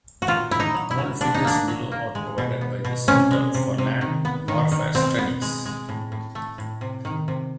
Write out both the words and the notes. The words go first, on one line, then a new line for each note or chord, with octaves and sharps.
All figures below are provided by the Centre for Land Warfare Studies.
F#4
A#2 F4
F#3 E4
D#4
F#3
E4
F#3
D3 D4
D#4
A#3 D4
F#3
A#3
G#3
B2
B3
B2
C3 C#4
G#3
C3
C3
D#3
B3
D#3
D#3
B2 C4
B3
G#3
G#3
A2
A2
A3
A2
C3
D#3
C3